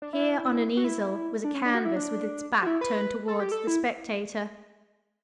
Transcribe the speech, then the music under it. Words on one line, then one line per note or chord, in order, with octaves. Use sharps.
Here, on an easel, was a canvas with its back turned towards the spectator.
D4
E4
F#4
E4
D4
C#4
D4
F#4
E4
D4
F#4
E4
B4
A4
G4
A4
E4